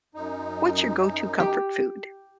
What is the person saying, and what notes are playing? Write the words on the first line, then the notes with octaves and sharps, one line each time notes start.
what's your go to comfort food?
F#2 D#4
G4